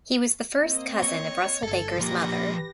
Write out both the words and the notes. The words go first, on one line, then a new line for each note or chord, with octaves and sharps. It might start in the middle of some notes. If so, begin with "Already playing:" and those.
He was the first cousin of Russell Baker's mother.
A#3 C4 D#5
C#5
G1 A4 G#6
F3 A#3 G4 B4 A#6